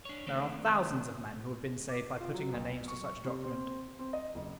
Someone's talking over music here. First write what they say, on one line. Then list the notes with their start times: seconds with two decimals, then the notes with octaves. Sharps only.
There are thousands of men who have been saved by putting their names to such a document.
0.05 D4 C#5
0.27 D#3 A3 A#3 C4 D4
1.89 D6
2.20 F4
2.34 F#3
2.53 B1
2.88 C#6
3.04 C#6
3.24 C3
3.44 C4
3.99 C4
4.13 D#5
4.35 F#1